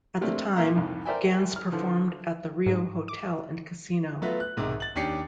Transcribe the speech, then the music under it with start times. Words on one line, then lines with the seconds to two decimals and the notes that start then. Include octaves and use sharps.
At the time, Gans performed at the Rio Hotel and Casino.
0.21 C3 A3 A#3 C4 D4
0.56 A#2 A#3 A#4 E5 F5 A#5
0.75 C2 F2 G#2
1.05 A#4 C5 D5 E5 G5 G#5
1.56 F6
1.72 D3 E3 F3
2.66 G#2
3.08 D6
4.22 F#3 A3 B3 F4 B4
4.40 F#6
4.57 B1 G#2 C3 D#3
4.80 A6 F#7
4.95 D#2 C#4 D4 G4 C7 C#7